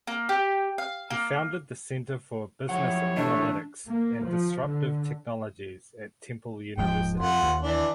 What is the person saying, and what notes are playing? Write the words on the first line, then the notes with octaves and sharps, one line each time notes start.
He founded the Center for Business Analytics and Disruptive Technologies at Temple University.
A#3
G4
F5
A#3
F#2 F3 E4 G4 C#5 F#5
G#2 E3 A3 D4
A#3
F3
D3
D#1 G#2 F3 G5
F2 F4 F#5 C6
D#2
E3 D4